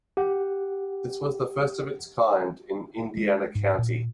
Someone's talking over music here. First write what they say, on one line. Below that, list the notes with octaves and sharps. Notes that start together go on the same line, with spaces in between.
This was the first of its kind in Indiana County.
G4 F#5
G#3
G#2
A#2